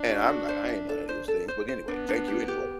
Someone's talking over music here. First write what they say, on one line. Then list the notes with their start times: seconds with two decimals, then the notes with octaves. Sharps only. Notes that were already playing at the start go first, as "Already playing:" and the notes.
and I'm like, "I ain't none of those things, but anyway, thank you anyway."
Already playing: D4
0.09 F#4
0.29 F#4
0.49 C5
0.68 E5
0.89 A4
1.09 C5
1.28 A4
1.48 C5
1.69 C5
1.88 B3 D4
2.08 D4
2.28 G4
2.48 G4